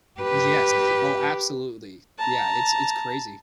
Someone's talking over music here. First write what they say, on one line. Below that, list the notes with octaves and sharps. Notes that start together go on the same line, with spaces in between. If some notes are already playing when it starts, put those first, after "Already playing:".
Yes, oh, absolutely. Yeah, it's it's crazy.
G4 B4
A5 A#5